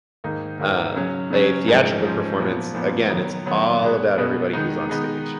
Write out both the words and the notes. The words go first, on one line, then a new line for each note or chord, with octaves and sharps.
um, a theatrical performance, again, it's all about everybody who's on stage.
G#2 D#3 A#3 D#4
G#2 D#3 A#3 D#4
C#3 F#3 C#4
C#3 F#3 C#4
G#2 F3 G#3 C#4
G#2 F3 G#3 C#4
A#2 F3 B3
A#2 F3 B3
D#3 F#3 B3
D#3 F#3 B3
B2 G#3 B3
B2 G#3 B3
D#3 G#3 B3 D#4
D#3 G#3 B3 D#4